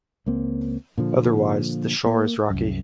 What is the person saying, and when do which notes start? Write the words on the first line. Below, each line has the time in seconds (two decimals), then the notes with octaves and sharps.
Otherwise, the shore is rocky.
0.26 C#2 A#3 C4
0.98 A#2 D3 F3
2.06 A#3
2.50 C2 F#2